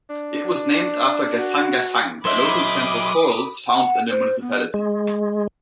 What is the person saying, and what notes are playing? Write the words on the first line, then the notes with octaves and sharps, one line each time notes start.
It was named after "gasang-gasang", a local term for corals found in the municipality.
D4
F#4
F#3 C5 D#5 E5 B5 D6 D#6
F#5
C5
B3
G#3